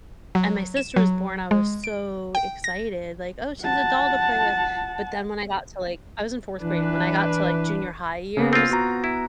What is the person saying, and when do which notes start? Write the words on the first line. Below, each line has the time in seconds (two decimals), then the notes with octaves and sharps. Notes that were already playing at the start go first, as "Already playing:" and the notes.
And my sister was born, I was so excited. Like, "Oh, she's a doll to play with." But then when I got to like I was in fourth grade. When I got to like junior-high years,
0.35 F#3
0.77 E7
0.96 F#3
1.51 G#3
1.84 D7
2.35 G5
2.64 A#6
3.62 F#5 A5
6.63 E3 D4 B4
8.37 C#3 A#3 B3
8.53 C4 F4
8.70 B3 F#4 A#5
9.04 E4